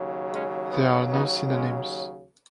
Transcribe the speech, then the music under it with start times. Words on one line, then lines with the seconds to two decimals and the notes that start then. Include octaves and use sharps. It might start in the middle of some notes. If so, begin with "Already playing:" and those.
There are no synonyms.
Already playing: D#2 C#3 F#3
0.31 G#3 C#4
0.70 B3
1.10 B3 D#4
1.49 G#3 C#4